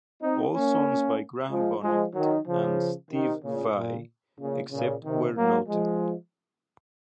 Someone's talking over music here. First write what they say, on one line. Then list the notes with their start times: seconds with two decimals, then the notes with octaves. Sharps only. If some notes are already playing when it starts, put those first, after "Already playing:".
All songs by Graham Bonnet and Steve Vai, except where noted.
0.22 C4 D#4
0.55 A#3 C#4
1.51 F3 G#3
1.83 F3 G#3
2.15 D#3 F#3
2.47 C#3 F3
3.11 C3 D#3
3.44 A#2 C#3
3.75 A#2
4.40 A#2 C#3
4.72 A#2 C#3
5.04 C3 D#3
5.37 F#3 A#3
5.68 F3 G#3